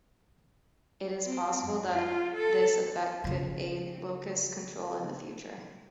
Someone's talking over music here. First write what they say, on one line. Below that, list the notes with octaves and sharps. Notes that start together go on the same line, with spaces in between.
It is possible that this effect could aid locust control in the future.
C4
F#2
F4
A4
C#3 F3